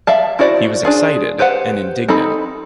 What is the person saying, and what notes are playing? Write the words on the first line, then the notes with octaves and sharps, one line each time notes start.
He was excited and indignant.
D5 E5 F5 A5
E4 F#4 C5 D5
D4 F4 G#4
G4 B4 C5 F#5
C4 D#4 A4 B5